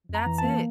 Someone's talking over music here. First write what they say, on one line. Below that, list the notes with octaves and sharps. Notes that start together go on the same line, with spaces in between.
That's it.
F2
A#5
E3
A5
A#3